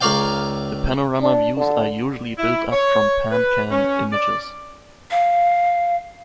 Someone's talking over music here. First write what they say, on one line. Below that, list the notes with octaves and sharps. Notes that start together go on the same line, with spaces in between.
The panorama views are usually built up from PanCam images.
C#2 A#4 C#5 D5 F5 G5
D4
D3
E4
C#5
B4
C#4
D5
F5